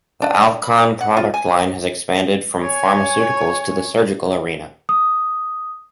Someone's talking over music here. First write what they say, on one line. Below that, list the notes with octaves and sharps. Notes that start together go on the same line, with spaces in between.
The Alcon product line has expanded from pharmaceuticals to the surgical arena.
D4
B5
F#5
F4
G#5
C#5 G#5
D#6